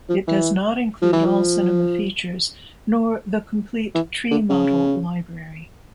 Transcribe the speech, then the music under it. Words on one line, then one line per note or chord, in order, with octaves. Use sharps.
It does not include all Cinema features, nor the complete Tree Model Library.
F3
E3
F3
E3
F3
E3
D3
C#3